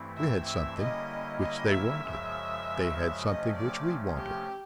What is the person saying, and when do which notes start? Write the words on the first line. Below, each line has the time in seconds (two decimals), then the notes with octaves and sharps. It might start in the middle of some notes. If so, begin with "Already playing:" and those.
We had something which they wanted; they had something which we wanted.
Already playing: G2 E3 A3 C4 E4
0.17 E5
0.47 E5
0.78 D3 G3 A#3 C#4 E4 D#5
1.40 D#5
1.70 E5
2.01 F#2 C#3 F3 G#3
3.25 C3 F3 A3 C#4 D#5
3.56 D5
4.17 G4